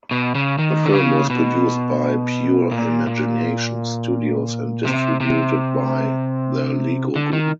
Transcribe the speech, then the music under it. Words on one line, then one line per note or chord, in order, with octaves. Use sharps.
The film was produced by Pure Imagination Studios and distributed by The Lego Group.
B2
C#3
D#3
D3
C#3
B2
A#2
A#2
C3
C3
D3
D#3